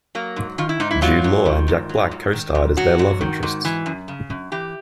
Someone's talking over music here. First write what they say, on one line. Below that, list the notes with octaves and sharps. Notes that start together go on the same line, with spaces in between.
Jude Law and Jack Black co-starred as their love interests.
F#3 A#3
G#2
D#3 F4
E4
G#2 D#4
E4
F#3 F4
G#2
D#3
G#2
F#3
G#2
D#3
G#2
F#3 F#4
G#2
D#3
G#2
E3
F#2
C#3
F#2
E3 G4